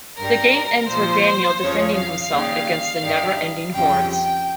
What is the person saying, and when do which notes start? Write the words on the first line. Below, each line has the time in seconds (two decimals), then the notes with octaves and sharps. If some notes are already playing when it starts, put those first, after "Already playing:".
The game ends with Daniel defending himself against the never-ending hordes.
0.18 G2 G3 A#4
0.89 A#2 F3 C5
1.60 F2 C#3 F3 C#5
1.96 F5
2.32 D#2 C#3 G3
3.02 G2 D#3 G3
3.73 F2 C#3 G3 G5
4.09 G5